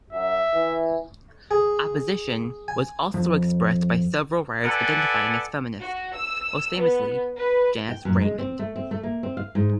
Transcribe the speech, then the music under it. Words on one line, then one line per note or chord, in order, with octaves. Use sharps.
Opposition was also expressed by several writers identifying as feminist, most famously Janice Raymond.
F#2 E5
E3
G#4
G#5
F2
A4 B4 D5 F#5 G#5
F#4
E6
B3
B4
G5
F#2
G#3
C4
A3
C4
A3
A#3
C4
F5
G#2